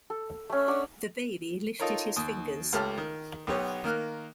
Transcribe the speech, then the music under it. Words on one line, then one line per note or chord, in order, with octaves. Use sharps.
The baby lifted his fingers.
A4
A3 C#4
D4 C#5 D5 F#5
D#4 F4 A4 A#4 C#5
D#2 D#6
C#2 A3 G4 C#5 A5 F6
D#3
B1 B3 G4 C#5
D#3 A#3 F6 F#6